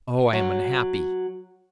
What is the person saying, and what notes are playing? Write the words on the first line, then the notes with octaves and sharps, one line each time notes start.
Oh, I am unhappy!
F#3